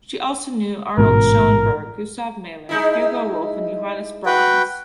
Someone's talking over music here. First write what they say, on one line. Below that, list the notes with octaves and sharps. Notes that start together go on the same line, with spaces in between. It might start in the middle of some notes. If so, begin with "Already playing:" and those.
She also knew Arnold Schoenberg, Gustav Mahler, Hugo Wolf and Johannes Brahms.
A1 G#2 B2 A#4
G#3 D#4 E4
F#4 B4 G5